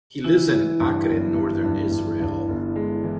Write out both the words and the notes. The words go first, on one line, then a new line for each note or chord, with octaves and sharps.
He lives in Acre in northern Israel.
E3 E4
E3
G2
G1
G2
G2
G2
G2
G1
G#3
E3